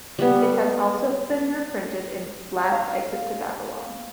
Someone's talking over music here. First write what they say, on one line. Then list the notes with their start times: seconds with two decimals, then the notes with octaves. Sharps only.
It has also been reprinted in "Last Exit to Babylon".
0.19 G3 B3
2.72 F5